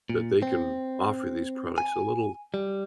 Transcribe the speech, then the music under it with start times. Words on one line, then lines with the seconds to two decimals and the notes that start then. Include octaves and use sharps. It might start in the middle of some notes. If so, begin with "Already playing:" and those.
that they can offer these products a little,
0.10 A#2
0.42 C4
1.78 G#5
2.54 G3